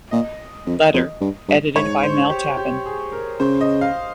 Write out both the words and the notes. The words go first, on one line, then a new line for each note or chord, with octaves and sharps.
Letter, edited by Mel Tappan.
A#2 D#5
F2
F2
G2
G2
G#2 C#5
C5
G4
G4
G#4
A#4
C#3 C5
D#5
F5